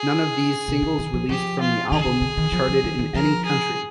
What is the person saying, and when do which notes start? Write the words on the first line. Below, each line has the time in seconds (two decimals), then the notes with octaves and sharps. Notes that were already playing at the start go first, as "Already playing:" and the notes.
None of the singles released from the album charted in any country.
Already playing: G#4
0.68 C3
0.83 D3
0.99 D#3
1.14 F3
1.29 F3 G4
1.61 F4
1.90 D#3 G#4
2.06 D3
2.22 D3
2.38 D#3
2.52 F3
2.68 F3
2.84 D#3
2.99 D#3
3.14 F3 A#4
3.45 G#4